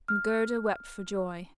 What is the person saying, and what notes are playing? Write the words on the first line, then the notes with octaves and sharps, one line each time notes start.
And Gerda wept for joy.
F6